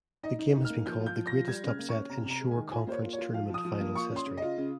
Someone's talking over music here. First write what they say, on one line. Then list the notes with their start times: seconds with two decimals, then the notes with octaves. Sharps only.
The game has been called the "Greatest upset in Shore Conference Tournament Finals History".
0.23 D#4 D#5
0.39 D#4
0.55 D#4
0.65 F6
0.70 A#3
0.86 F3 G6
1.01 F4
1.06 G6
1.17 F3
1.27 A#6
1.32 F4
1.48 G3 G#6
1.63 C#3 F6
1.79 A#3
1.89 C#6
1.94 C#4
2.09 C3 A#5
2.25 C3
2.30 A#5
2.40 G#3
2.51 G#5
2.56 D#3
2.71 F4 G#5
2.87 A#3 C5
2.92 C#5
3.03 F4
3.13 C#5
3.18 F4
3.33 F3 F5
3.49 F3 D#6
3.65 F3
3.80 A#3
3.95 F4 C#6
4.11 C#4 C6
4.27 C#3
4.37 F4 D#5
4.58 C#3